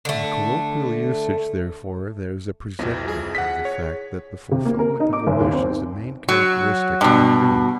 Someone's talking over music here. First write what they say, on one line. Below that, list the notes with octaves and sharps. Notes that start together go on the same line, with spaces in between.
In colloquial usage, therefore, there is a presentment of the fact that the fulfillment of a wish is a main characteristic of the dream.
D3 A3
C2 F2 B2
G#4
F#5 B6
C#5
C3
A#3
A#4
D#4
D6
F#1
D#2
C4
F#3
G2 B2